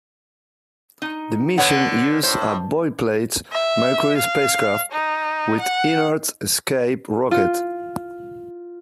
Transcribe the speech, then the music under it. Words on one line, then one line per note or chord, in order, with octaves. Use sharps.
The mission used a boilerplate Mercury spacecraft, with inert escape rocket.
D#4
D3 B3 B4 C#5 F#5
A2 C5
E5
F5
D#4
F#5
F4